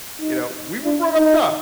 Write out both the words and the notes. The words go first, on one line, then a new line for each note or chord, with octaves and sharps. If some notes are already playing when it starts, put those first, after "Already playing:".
You know, we were brought up tough,
D#4
D4
D#4